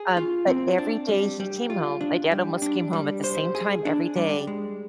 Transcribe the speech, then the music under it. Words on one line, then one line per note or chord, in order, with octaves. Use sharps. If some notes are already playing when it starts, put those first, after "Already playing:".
Um, but every day he came home- my dad almost came home at the same time every day-
Already playing: G#4
F4
C4
D4
G3
G3
F4
D4
G3
D4
G3
C5
G#4
D4
G3
G#3